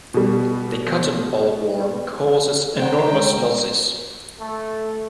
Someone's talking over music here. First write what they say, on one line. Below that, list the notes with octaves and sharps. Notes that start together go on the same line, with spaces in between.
The cotton bollworm causes enormous losses.
B2 G3
C5 F#5 G5 A#5
G#3
A3